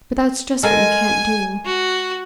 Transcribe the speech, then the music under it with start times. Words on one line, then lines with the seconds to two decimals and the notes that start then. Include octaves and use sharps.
But that's just what you can't do.'
0.63 G#3 A4 A#4 G#5
1.65 F#4